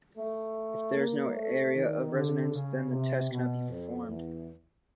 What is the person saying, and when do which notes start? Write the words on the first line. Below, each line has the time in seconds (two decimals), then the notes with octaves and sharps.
If there is no area of resonance, then the test cannot be performed.
0.17 A3
0.95 A#3
1.34 A3
1.74 D#3
2.12 D3
2.52 C#3
2.91 C3
3.30 B2
3.69 F2
4.07 E2